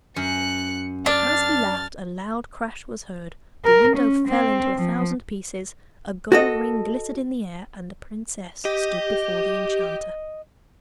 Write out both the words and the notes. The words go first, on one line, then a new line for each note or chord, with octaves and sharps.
But as he laughed a loud crash was heard, the window fell into a thousand pieces, a gold ring glittered in the air, and the princess stood before the enchanter.
F#2 F#6 C#7
D4 F6 A6
A#4
C#4
C4
F3
F#4 A4 D#5
G4 D#5